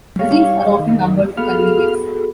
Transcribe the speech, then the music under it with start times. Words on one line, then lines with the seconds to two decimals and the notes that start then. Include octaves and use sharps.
The scenes are often numbered for convenience.
0.19 G3 C#5 F5
0.79 D#3
1.37 B3 F#4 G#4 A4 F5 F6